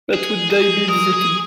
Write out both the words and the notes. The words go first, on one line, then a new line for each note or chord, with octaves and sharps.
But would they be visited?
G#4
G#4
A#4 D#6
G#4